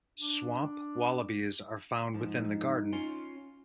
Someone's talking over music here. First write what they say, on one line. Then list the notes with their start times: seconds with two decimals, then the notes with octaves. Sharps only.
Swamp wallabies are found within the Garden.
0.18 D4
2.14 G#2 F3 D#4
2.93 C#4 F4 C6